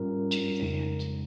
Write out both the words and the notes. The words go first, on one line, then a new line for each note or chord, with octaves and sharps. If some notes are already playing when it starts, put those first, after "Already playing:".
do that
Already playing: G#2 G3 C#4 F4 A#4
F2 C#3 G#3 D#4